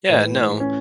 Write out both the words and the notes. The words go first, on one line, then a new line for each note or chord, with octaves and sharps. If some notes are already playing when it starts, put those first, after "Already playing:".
Yeah. No.
A2 E3 B4
C#4